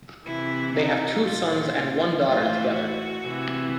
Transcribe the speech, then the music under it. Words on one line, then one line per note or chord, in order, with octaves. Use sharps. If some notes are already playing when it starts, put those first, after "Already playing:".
They have two sons and one daughter together.
C3 E3 E4
D#4
A#2 F4
A2 E3 F4
F#4
C3 E3